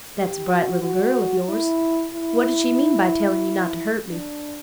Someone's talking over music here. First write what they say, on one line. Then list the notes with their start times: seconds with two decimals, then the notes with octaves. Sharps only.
"That's a bright little girl of yours--What did she mean by telling you not to hurt me?"
0.18 G4
0.51 F#4
0.84 F#4
1.49 E4
2.15 E4
4.11 D4